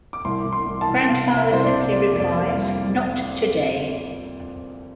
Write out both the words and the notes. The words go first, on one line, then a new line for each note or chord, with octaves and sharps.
Grandfather simply replies, Not today.
D6
C2 C6
C2
C6
C2
A5
C2
C3 F5
C3
E5
C2 C5
D5
C3
A#3 D5
F2
D5
A#3
F5
G3